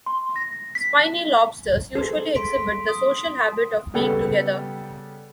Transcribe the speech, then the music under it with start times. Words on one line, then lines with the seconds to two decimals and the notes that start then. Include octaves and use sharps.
Spiny lobsters usually exhibit the social habit of being together.
0.06 C6
0.36 A#6
0.75 B6
1.95 G#4 A4 C5
2.35 C6 B6 D7
2.89 D#6
3.94 C#3 G3 B3 G4 A4